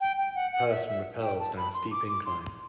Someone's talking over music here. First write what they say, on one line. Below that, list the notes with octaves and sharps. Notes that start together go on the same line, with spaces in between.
A person rappels down a steep incline.
G5
G5
F#5
F#5
E5
E5
G5
A5
B5
C6
D6
D6
C6